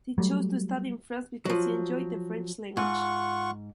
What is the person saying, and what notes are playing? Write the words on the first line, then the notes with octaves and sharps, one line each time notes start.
She chose to study in France because she enjoyed the French language.
F#3 G3 A3
F3 F#3
G#2 F4 F#5 C#6